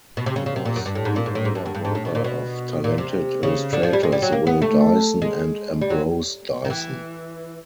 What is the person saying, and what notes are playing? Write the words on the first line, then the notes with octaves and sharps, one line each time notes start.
He was the elder brother of talented illustrators Will Dyson and Ambrose Dyson.
B2
C3
C#3
C#3
C3
A#2
F#2
G2
A2
G#2
A#2
G#2
A2
G#2
G2
F#2
G2
G#2
A2
B2
A#2
B2
A#2
C3
C#3
D3
F3
G3
G#3
G3
F#3
A#3
B3
A3
G#3
G3
F#3
D#3
E3